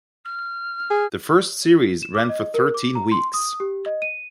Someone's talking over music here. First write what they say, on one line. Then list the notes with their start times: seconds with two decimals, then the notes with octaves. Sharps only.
The first series ran for thirteen weeks.
0.25 F6
0.90 G#4
2.03 E7
2.15 D6
2.29 D#5
2.54 A#4
2.74 D6
2.95 A#5
3.12 C6
3.34 D#6
3.60 G4
3.86 D#5
4.02 D#7